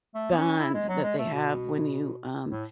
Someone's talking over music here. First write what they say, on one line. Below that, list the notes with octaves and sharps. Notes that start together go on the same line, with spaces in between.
bond that they have when you um,
A3
B3
C#4
E4
G#3
F#3
G#3
A3
B2
A2